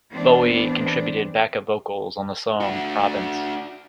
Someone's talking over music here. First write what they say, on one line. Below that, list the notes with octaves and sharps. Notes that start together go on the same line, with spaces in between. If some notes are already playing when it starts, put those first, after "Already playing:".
Bowie contributed back-up vocals on the song "Province".
E3 B3 C4 D4
D4 F#4